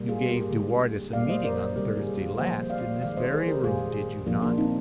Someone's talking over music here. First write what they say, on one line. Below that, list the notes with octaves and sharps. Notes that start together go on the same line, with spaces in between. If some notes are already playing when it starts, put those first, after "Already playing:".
"You gave de Wardes a meeting on Thursday last in this very room, did you not?"
Already playing: A#2 G3 A#3
F4 G#4
G4 A#4
D3 G#3
A#2 G3 A#3 D5 F5
C5 D#5
A#4 D5
C3 D#3 G3 G4 A#4
F4 G#4
F4 G#4
D3 F3 A#3 C5 D#5
D5 F5
D#3 G#3 D5 F5
C5 D#5
G#4 C5
G4 A#4
A#2 G#3 F4 G#4
A#2 F3 A#3 D4 F4
A#3 D4
C4 D#4